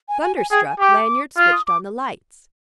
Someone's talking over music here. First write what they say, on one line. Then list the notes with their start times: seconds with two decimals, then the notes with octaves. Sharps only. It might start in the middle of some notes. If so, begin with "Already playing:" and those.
Thunderstruck, Lanyard switched on the lights.
0.09 G#5
0.22 G#5
0.37 G#5
0.51 G#4 G5
0.65 G#5
0.79 G4 D6
1.37 F4 F6
1.52 D#6
1.67 D6